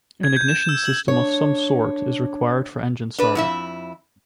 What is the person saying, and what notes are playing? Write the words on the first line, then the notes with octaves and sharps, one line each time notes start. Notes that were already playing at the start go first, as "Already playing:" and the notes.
An ignition system of some sort is required for engine startup.
G#6
G6
E7
E6
F#7
D4 C#5
D4 B4
F2 E4 E5